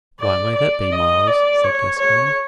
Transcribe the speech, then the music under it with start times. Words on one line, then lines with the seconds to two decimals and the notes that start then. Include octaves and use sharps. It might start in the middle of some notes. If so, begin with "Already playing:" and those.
"Why may that be, Myles?" said Gascoyne.
0.20 D5
0.56 D5
0.92 D#5
1.27 D5
1.64 C#5
1.99 C#5